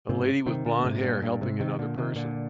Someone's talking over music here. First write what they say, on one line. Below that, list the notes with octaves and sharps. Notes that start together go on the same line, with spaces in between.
A lady with blondhair helping another person.
G#2 C3
C3 D#3
A#2 D3
G#2 C3
G2 A#2
G2 A#2
G#2 C3
C3 D#3
A#2 D3
C3 D#3
A#2 D3